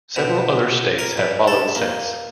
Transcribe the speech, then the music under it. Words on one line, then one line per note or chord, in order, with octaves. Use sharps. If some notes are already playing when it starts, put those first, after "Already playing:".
Several other states have followed since.
B2
A#4
G2
A4
A#3